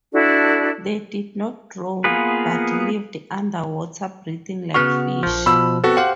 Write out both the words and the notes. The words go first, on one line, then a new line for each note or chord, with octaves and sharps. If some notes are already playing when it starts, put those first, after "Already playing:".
They did not drown, but lived underwater breathing like fish.
D4 E4 F#4 A4
A#3 B3 F4 G#4 B4
C#3 B3 F#4 C#6 F6 F#6
A#1 F3
B2 F3 B5 E6
B3 C4 F#4 A4
G4 C5 F5 F#5